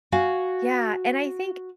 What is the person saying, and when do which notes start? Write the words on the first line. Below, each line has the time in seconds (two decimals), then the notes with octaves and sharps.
Yeah, and I think
0.12 F#4 F5 G#5